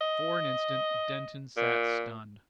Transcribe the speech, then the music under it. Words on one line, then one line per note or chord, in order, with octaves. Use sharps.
For an instant Denton sat stunned.
D#5
A#2